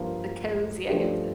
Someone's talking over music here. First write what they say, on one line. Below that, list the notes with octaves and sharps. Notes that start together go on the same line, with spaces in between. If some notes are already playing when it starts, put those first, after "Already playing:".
The cozy. I get the
Already playing: G2 F3 A#3
G2 F3 A3 D4 G4